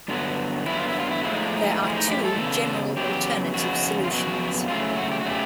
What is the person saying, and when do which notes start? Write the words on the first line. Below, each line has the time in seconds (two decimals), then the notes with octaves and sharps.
There are two general alternative solutions.
0.08 G2 D3 F#3 B3
0.66 G2 D3 F#3 B3 E4
0.77 F4
0.88 E4
1.00 F4
1.11 E4
1.23 A2 F3 G#3 E4
1.34 D#4
1.46 D4
1.56 D#4
1.82 A2 F3 G#3
1.96 D#4
2.10 G4
2.25 A4
2.38 C#3 F#3 B3 A4
2.97 C#3 F#3 B3 G4
3.53 F2 C#3 F#3 B3 F#4
4.04 F4
4.11 F2 C#3 F#3 B3 F#4
4.68 C#3 F#3 A3 F4
4.96 F#4
5.12 G4
5.20 F#4
5.25 C#3 F#3 A3 G4